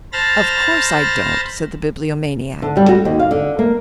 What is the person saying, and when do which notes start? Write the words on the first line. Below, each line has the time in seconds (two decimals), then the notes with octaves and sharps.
"Of course I don't," said the Bibliomaniac.
0.12 C5 A5 B5 F6 A6 A#6
2.62 D3
2.77 G3
2.89 F#4
3.05 D#2
3.19 F5
3.31 D3
3.59 A#3